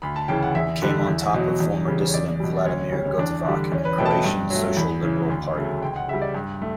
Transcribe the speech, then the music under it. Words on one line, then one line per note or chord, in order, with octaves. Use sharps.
He came on top of former dissident Vladimir Gotovac and Croatian Social Liberal Party.
D2 B5
A5
C#3 E3 G5
F#5
E2 E5
D3 G3
E2
B2 F#3
E2
C#3 G3
C#5
E2 D5
B2 G3
D2 C#5
C#3 G3 C#4
C#4
E2 D4
D3 G3
E2 C#4
B4
B2 A3 G5
A5
G5
G2
F#3 A3
E2 B5
C#3 E3
D2
C#3 F#3 A3
C#2 G5
F#5
C#3 E5
G3
D5
G2
A3